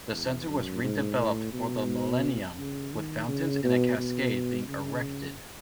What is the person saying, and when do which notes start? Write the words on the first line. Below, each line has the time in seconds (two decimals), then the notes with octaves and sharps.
The Centre was redeveloped for the millennium, with fountains and a cascade being erected.
0.13 E2
0.47 F#2
0.83 G#2
1.17 A2
1.53 B2
2.59 C#3
2.93 D#3
3.28 C#3
3.64 B2
3.98 B2
4.68 C#3